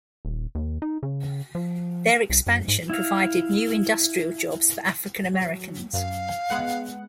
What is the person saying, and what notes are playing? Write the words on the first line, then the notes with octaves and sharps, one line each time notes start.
Their expansion provided new industrial jobs for African Americans.
D#1
D#2
D#4
C#3
F3
C2
F#2
G#2
E4 F5
F#3
F#2 F5
G#3 B3 F#5